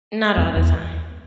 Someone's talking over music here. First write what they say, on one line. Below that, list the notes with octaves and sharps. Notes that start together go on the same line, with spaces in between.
Not all the time.
F2
E2